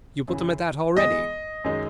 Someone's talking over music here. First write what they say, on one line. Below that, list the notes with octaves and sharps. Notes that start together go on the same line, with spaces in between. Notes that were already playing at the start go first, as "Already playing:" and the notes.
You put them at that already?...
F#2 C#3 E3
E3 G#3 B3 D#5
F#2 D#3 G#3 D#4